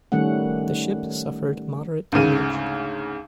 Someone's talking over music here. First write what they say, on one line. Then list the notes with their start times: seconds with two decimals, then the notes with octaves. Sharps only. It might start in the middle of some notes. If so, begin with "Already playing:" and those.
The ship suffered moderate damage.
0.12 D#3 G3 A3 C#4 F#5
2.12 D2 G#2 C#3 D#7